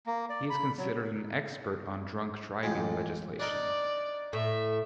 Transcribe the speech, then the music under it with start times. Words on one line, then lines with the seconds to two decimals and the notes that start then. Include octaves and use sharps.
He is considered an expert on drunk driving legislation.
0.06 A#3
0.30 D5
0.50 B5
0.78 F#3
2.63 A1 F2 G#3
3.40 D4 D#4 A#4 D5
4.33 A2 E5